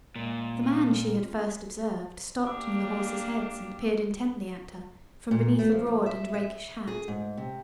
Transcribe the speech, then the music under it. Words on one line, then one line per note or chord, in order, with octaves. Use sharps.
The man she had first observed stopped near the horses' heads and peered intently at her from beneath a broad and rakish hat.
A#2 G#3 D#5
C4 F4
A#3 D4 G4 D6 E6
A#2
A3
F3
F3
E5
E5
G#4
G#2
C3